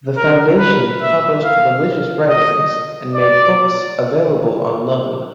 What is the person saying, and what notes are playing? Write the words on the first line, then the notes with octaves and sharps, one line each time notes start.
The foundation published religious writings and made books available on loan.
A#4
B4
E5
F5
D#5
D5